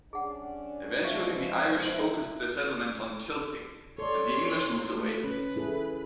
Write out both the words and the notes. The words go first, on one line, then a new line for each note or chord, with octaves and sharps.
Eventually the Irish focused their settlement on Tilting, and the English moved away.
G2 C#4 D4 G#4 F#5
B2 F3 G#3 E5 F5 C#6
E4 C5
A4 C#5 D5 C6
A3
C#4 B4
E4 G#4 A4